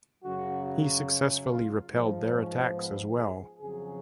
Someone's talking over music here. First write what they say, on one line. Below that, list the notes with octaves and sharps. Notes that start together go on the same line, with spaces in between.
He successfully repelled their attacks as well.
F#2 C#3 F#3 F#4
F4
G#2 F3 D#4
C#4
B3
G#4
F2 C#3 F#3 G#4